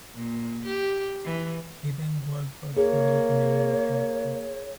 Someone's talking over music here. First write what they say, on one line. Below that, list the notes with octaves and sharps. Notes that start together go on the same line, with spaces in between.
He then worked for Friedrich Meyer in Herford.
A#2
G4
E3
A#3 G#4 C#5